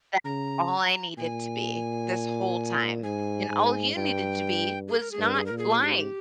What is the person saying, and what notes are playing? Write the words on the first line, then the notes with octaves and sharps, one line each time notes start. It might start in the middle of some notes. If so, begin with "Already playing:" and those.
That's all I needed to be this whole time, and all you needed to be was not lying.
C#3 A#5
A#2 G#5
G#2 G#5
G#2
G2 G5
G#4
A#4
G#4
G2 A#4
G#4
A#2 A#4
G#4
G#2 G4